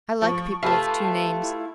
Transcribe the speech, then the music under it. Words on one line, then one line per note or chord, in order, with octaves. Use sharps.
I like people with two names.
F3 C#6
A3 F4 G4 B4 E5 A5
E4